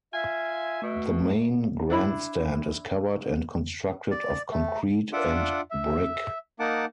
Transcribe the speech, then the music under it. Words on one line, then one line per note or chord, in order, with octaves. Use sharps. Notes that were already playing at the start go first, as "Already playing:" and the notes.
The main grandstand is covered and constructed of concrete and brick.
F4 E5 G#5
B2 A3
D4 E4 B5
D5
A3
D4 F4 E5 F#5 D6
E5
A#3 D#4 F#5 A5 D6